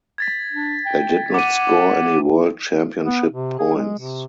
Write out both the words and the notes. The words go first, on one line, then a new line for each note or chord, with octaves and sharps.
They did not score any World Championship points.
G#6 A6 B6
D4
G5
F#5 D6 D#7
B3
C3
G#4
G#3
C3